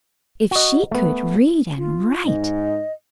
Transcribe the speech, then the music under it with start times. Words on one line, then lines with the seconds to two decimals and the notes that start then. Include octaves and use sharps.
If she could read and write!
0.51 F#4 D#5
0.91 A3 B3
1.78 F4
2.25 G#2 D#5